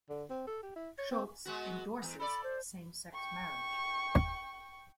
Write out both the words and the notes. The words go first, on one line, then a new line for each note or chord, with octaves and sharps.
Schultz endorses same-sex marriage.
D3
C4
A4
G4
E4
C#5
C4
G#3 B3 F#4
E2
A4 D5 B5
C5
G5 C#6